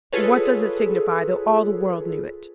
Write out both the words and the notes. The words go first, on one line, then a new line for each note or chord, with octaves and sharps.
"What does it signify though all the world knew it?"
F4 G#4 A4 B4 C#5